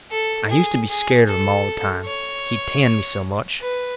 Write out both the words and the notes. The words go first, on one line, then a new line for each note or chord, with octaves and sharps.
I used to be scared of him all the time, he tanned me so much.
A4
G#4
G#4
A4
C#5
B4